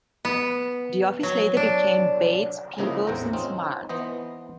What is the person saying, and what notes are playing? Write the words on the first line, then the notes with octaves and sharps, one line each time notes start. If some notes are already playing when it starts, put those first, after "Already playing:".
The office later became Bates, Peebles and Smart.
B3
F#3
D4
C#3 F3 A#3 D#4 E4 D#5
E2 A2 C4 F#5 G5 A#5
C4 C#4 D#4 F4
E3 B3 C5 D#5